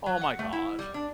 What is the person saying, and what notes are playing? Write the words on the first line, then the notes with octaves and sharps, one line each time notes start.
Oh my gosh.
F#3
F#5
A3
E4
G3
D4